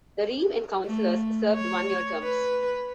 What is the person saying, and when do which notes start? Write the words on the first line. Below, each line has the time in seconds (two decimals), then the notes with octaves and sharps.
The reeve and councillors served one-year terms.
0.85 A3
1.55 C#5
2.23 B4